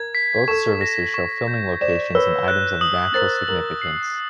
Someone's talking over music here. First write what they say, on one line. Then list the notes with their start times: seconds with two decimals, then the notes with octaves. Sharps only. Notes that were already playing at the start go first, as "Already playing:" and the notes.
Both services show filming locations and items of natural significance.
Already playing: A#4 G#6
0.15 B6
0.48 A4 C#6
0.81 A#6
1.14 C#6
1.48 G6
1.81 C5 D5 E7
2.15 B4 C#5 E6
2.48 F#6
2.81 D#6
3.14 A#4 C5 A6
3.48 A#4 F#7
3.82 C7